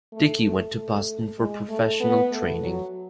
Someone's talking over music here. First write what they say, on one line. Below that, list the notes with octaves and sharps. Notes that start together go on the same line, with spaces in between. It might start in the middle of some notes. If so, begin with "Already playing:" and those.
Dickey went to Boston for professional training.
A3
A3
A3
G#3
A3
B3
A3
F#3